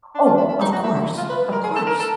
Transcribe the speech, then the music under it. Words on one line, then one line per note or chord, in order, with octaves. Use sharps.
Oh, of course, of course.
D4
F4
E4
E4
D#4
F#4
E4
E4
F4
B4
A#4
G#4
A4
A#4
A4